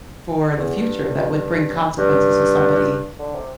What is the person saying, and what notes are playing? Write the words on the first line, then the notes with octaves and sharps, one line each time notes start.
for the future that would bring consequences to somebody?
E2
G2
G2
D3
C3